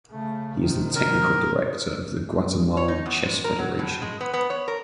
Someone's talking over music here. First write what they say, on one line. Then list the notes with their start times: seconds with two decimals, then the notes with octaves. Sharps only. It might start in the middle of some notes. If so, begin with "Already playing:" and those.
He is the Technical Director of the Guatemalan Chess Federation.
0.11 C#3 A3
0.58 C3 D#3
0.95 A#4
2.77 C#5
2.88 D#4
3.06 E2
3.23 C3
3.44 A#4
3.59 F#3
3.79 A2
4.02 G#3
4.21 B3
4.34 B3
4.50 C#5
4.68 A#4